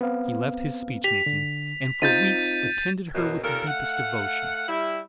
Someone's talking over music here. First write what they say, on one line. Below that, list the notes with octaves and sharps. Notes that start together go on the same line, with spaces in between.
He left his speech-making, and for weeks attended her with the deepest devotion.
B3 C4 F5
G4 B6 F7
D3
C4 D#4 F4 G6 A6 D#7
F#2 B2
D#2 A#2 A4 A#4
A3 F5 F#5
G3 E4